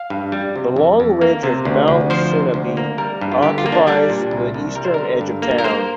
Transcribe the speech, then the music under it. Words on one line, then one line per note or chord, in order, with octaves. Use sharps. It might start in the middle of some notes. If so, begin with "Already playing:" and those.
The long ridge of Mount Sunapee occupies the eastern edge of town.
Already playing: F5
G2
G3
C3
F2
F2
A#3 F5
C3
D2
D2
F3 C5
C3
D2
A#3
G3 A#4
G2
F4
G1 G4
F4
A#3
D4
G3 D4
A#2
C2
C2
G3 A#4
C5
D3 A#4
G2
A#3
A#4
A#3 C5